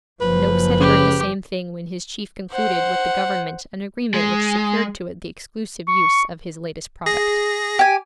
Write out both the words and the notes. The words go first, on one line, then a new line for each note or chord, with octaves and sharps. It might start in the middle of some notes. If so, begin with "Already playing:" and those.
Noakes had heard the same thing when his chief concluded with the government an agreement which secured to it the exclusive use of his latest product.
F#1 F3 B4
C#3 G4
C5 F#5
G#3
C#6
G#4 A#6
G4 G#5